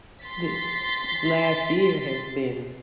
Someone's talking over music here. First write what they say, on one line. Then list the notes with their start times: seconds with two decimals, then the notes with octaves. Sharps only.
this last year has been
0.23 C6 A6 B6